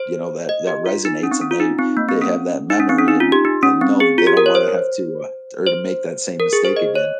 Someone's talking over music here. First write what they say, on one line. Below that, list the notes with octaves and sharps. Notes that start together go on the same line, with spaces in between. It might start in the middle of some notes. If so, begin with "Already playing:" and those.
you know, that that resonates and they they have that memory and and know they don't wanna have to, uh, or to make that same mistake again.
Already playing: C5
D#5
G4
F4
D#4
C#4
C4
C#4
F4
D#4
C4
A#3
C4
C#4
D#4
C#4
C4
C#4
D#4
F4
G4
D#4
C#4
C4
G#4
F4
G4
A#4
C#5
C5
C5
A#4
G#4
C5
D#5
C#5